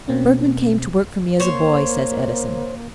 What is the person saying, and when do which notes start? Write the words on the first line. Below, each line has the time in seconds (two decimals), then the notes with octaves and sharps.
"Bergmann came to work for me as a boy," says Edison.
0.08 B2 A#3 C4 C#4
1.40 A#3 C5 C#5